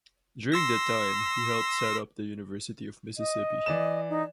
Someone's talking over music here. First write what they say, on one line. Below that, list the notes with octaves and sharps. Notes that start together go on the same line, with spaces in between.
During that time, he helped set up the University of Mississippi.
C6 E6 A#6
D#5
E3 D5 E7
D#4